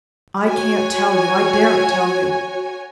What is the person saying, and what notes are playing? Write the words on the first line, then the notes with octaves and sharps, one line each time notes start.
"I can't tell you--I daren't tell you."
F#4 C#5 G#5